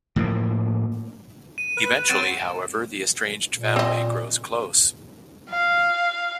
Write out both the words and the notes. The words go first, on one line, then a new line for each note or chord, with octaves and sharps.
Eventually, however, the estranged family grows close.
A2 F3 A#3
D#7
B4
F#3 C4 A6 D7 E7
A#2
C4 D#5
F5